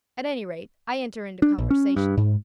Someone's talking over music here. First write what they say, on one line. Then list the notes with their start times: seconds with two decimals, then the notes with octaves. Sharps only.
At any rate, I enter into conversation.
1.42 D4
1.58 A#1
1.70 C#4
1.96 G2
2.17 G#2